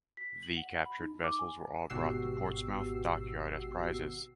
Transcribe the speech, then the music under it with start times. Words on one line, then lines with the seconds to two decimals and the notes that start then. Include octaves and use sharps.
The captured vessels were all brought to Portsmouth Dockyard as prizes.
0.17 B6
0.43 F#7
0.57 F#5
0.86 B5
1.00 D#4
1.24 D6
1.39 G#5
1.90 G#1 B2 F#4 G4 E6 C7